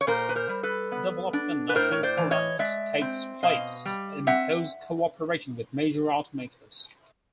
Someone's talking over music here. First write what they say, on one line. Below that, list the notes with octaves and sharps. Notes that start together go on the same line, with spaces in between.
Development of new products takes place in close cooperation with major automakers.
C#5
A#2 A#4 C5
B4
A#4 C5
G3
A4 B4
B3
D4
B4
A2 A#4 C5
C#5
C5 D5
E3
C#5 D#5
G#3 D5 E5
C4
B2 D#5 F5
G3
C4 E5 F#5